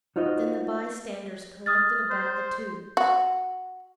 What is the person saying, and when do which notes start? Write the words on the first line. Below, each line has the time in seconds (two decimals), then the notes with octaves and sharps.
Then the bystanders collected about the two.
0.16 D#4 F4 F#4 C5 D#5
1.66 D#6 F6 A6
2.10 C5
2.97 F#4